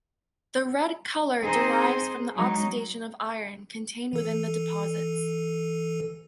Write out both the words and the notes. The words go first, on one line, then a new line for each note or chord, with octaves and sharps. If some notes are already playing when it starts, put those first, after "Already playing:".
The red color derives from the oxidation of iron contained within the deposits.
C4 D#4 G#4 C5
F#3 G#3 D#4
E3 A4